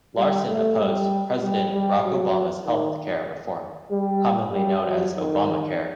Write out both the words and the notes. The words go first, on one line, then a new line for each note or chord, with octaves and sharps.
Larson opposed President Barack Obama's health care reform, commonly known as Obamacare.
G3
A3
G3
G3
G3
F#3
D#3
G3
G3
F#3
D#3